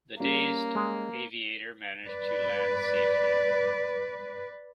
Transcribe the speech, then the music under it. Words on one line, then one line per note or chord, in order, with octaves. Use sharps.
The dazed aviator managed to land safely.
G3 A#3 C#4
G#3
B4 D5